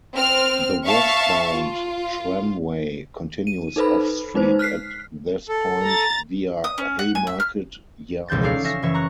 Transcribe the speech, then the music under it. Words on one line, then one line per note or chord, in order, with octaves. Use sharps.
The westbound tramway continues off-street at this point via Haymarket Yards.
C4 F6
E5 F5 A5 C#6
F4
D#7
D#4 A4 B4 C5 B5
G#3 D#4 B4 C5
F6 F#6 B6 C7
A4
A#5 A6
D#6
C#4
F#5
G#5
E5
F6
E1 C#2 F3 G6 A6
D#4 A4 C#5 D5 F5
C#4 E5 F5 A#6 E7
F#1 E3 C#5 E5
A#5 C#6 F#6